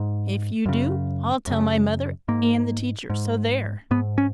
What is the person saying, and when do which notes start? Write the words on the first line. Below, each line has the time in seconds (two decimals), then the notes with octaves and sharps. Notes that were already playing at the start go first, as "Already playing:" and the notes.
"If you do, I'll tell my mother and the teacher, so there!"
Already playing: G#2
0.66 F#2 C#3
1.47 F#2 C#3
2.28 G#2 A#3
3.10 G#2
3.91 G#2 B3
4.18 C#4